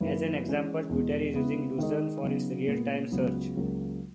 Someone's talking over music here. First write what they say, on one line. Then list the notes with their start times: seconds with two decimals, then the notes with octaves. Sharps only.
As an example, Twitter is using Lucene for its real time search.
0.01 F#2 D#3 A#3 E4 B4
0.45 E3 G#3 C#4
0.89 E2 B2 G#3
1.34 C#3 G#3 B3 E4
1.78 D#3 G#3 D#4
2.23 C#3 F#3 B3 D#4
2.68 A#2 G#3 B3
3.12 C#2 C#3 F#3 B3 F#4
3.56 C#2 C#3 F#3 A#3